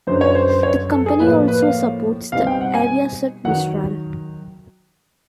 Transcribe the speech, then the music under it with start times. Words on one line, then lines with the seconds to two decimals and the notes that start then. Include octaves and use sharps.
The company also supports the Aviasud Mistral.
0.07 F#2 D3 F#3 C5
0.21 C#5
0.35 C5
0.49 C5
0.63 C#5
0.92 A4
1.06 G#4
1.19 A2 F3 A#3 B4
1.48 B4
1.62 F5
2.32 B2 G3 C4 D#4 F5
2.47 G5
2.61 F#5
2.75 G#5
3.45 D#3 F#3 F#5